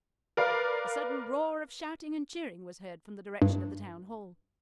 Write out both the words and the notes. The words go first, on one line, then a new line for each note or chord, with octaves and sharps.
A sudden roar of shouting and cheering was heard from the direction of the Town Hall.
A#4 B4 D5 F5
G2